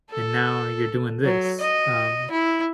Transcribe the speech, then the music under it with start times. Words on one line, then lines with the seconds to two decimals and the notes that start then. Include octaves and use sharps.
and now you're doing this." Um,
0.11 A4
1.25 F#3
1.60 D#5
2.31 E4